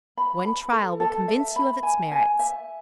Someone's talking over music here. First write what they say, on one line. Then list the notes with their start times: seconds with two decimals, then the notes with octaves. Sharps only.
One trial will convince you of its merits.
0.17 B5
0.45 B5
0.73 A4
1.00 A4
1.28 E5
1.56 B5
1.83 G#5
2.12 G#5
2.39 E5